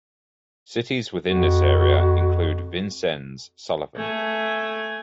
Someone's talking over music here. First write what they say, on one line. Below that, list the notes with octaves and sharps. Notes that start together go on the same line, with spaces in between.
Cities within this area include Vincennes, Sullivan.
F2 F#4
A3 G#5